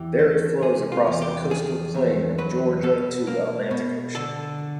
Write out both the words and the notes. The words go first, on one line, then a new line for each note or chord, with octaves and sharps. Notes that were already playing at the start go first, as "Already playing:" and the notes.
There it flows across the coastal plain of Georgia to the Atlantic Ocean.
Already playing: E2 E3 G4
A3
C3 G#4
F4
E2
G4
F3 G#4
E2
F#3 B4
B2 A4
A#3
B2
D3 A4